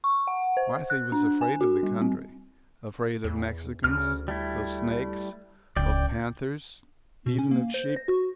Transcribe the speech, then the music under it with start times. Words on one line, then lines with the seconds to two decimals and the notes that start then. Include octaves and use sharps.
Marthy was afraid of the country--afraid of Mexicans, of snakes, of panthers, even of sheep.
0.04 C#6
0.27 F#5
0.57 C5
0.90 F#6
1.12 D4
1.41 G#5
1.61 F#4
1.83 G3
2.01 C4
3.24 E2
3.84 D2 C#3 F6
4.28 G3 A3 E4
5.76 D1 C#2 D5 G5
7.26 B2
7.39 C#4
7.51 A#3
7.74 C5
7.96 A#6
8.08 F#4